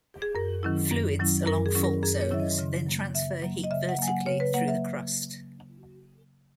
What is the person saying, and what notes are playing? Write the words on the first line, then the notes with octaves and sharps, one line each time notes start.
Fluids along fault zones then transfer heat vertically through the crust.
G#4
F#2 A#4
D#3 F#3 C#4 E4
F#2
D#3 F#3 C#4 E4
F#2 A#4
G#4
D#3 F#3 C#4 E4
A#4
F#2 G#4
C#5
D#3 F#3 C#4 E4 E5
D#5
C#3
F#3 A#3
C#3 E5
F#3 A#3
D#5
C#3 E5
F#5
F#3 A#3 G#5
F#5
C#3 C#5
B4
F#3 A#3 F#5
E5